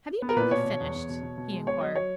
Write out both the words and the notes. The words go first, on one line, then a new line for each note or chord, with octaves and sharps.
"Have you nearly finished?" he inquired.
B3
A#4
A#2 B4
B2 C#5
B2
E2
E2
B2
B2
B2
G#3
B3 C#5
F#3 D#5
F#3 C#5